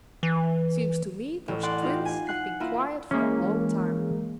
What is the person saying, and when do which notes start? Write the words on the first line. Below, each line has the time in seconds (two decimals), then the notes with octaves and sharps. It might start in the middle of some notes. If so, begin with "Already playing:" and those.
"Seems to me those Twins have been quiet for a long time."
0.23 E3
1.48 A1
1.63 D5 F#5 C6
1.82 D#4 F4 G4
2.05 G#5
2.27 F#5 F#6 C7
2.60 A#3 E4 F4
3.11 E3 G#3 A#3 C#4